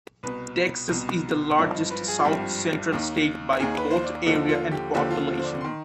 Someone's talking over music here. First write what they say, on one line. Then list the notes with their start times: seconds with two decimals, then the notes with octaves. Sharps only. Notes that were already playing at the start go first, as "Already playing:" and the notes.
Texas is the largest South Central state by both area and population.
0.23 C2 B2 B4
0.91 C2 B2
1.58 G#1 G2 F3 D5
1.74 D#5
1.91 B4
2.08 G#4
2.19 F4
2.25 G#1 G2 F3 G4
2.92 D#2 D#3
3.60 D#2 D#3 G#4
3.77 B4
3.91 C5
4.04 D5
4.27 D#2 D3 F3 D#5
4.49 F4
4.72 G4
4.94 D#2 D3 F3 G4
5.11 F4
5.27 F4
5.39 C5
5.44 D5
5.61 D#3 C6